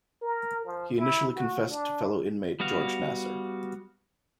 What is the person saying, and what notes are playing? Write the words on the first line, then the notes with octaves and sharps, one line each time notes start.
He initially confessed to fellow inmate George Nassar.
A#4
F3
E4
F#4
D4
G3 B3 F#4 F5